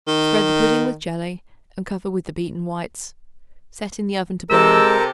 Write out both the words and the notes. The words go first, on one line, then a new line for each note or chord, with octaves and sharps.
Spread the pudding with jelly and cover with the beaten whites; set in the oven to brown.
D#3
C3 G#3 G4 A4 A#4 E6